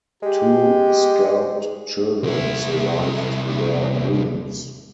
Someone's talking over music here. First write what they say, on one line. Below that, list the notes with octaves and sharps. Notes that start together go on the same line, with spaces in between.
Two scalped children survived their wounds.
G#3 G4
C2 E4